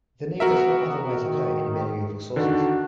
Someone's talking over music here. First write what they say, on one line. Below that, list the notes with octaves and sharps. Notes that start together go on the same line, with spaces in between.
The name does not otherwise occur in the medieval sources.
B3 F#4 A#4 E5
D#3
D3 D#3 D4 F#4